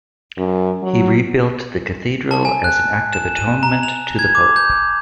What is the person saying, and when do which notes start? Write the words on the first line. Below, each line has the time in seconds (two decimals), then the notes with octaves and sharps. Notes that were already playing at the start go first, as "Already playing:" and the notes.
He rebuilt the cathedral as an act of atonement to the Pope.
0.38 F#2
0.83 F#3
2.31 A5
2.45 G#5
2.64 F#6
3.13 E7
3.37 D#7
3.63 A#5
3.83 F7
4.19 G#6
4.35 D6
4.56 G6